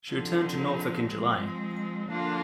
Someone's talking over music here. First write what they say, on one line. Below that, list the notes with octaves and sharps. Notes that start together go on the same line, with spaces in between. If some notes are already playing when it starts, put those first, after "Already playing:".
She returned to Norfolk in July.
D3 F3 C4 D#4
F3 G#3 C4
D3 F3 A#3 D4 F4